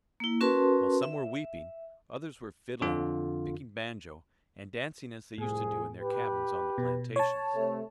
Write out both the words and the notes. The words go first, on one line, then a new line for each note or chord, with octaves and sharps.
While some were weeping, others were fiddling, picking banjo, and dancing as they used to do in their cabins on the plantations.
A#3 E4
C#4 F#4 A#4 B4 A5 C6
E5
F2 D3 F4
C2 F2 A2 G#4
G4 B4
B2
C#5 A5
C3 A3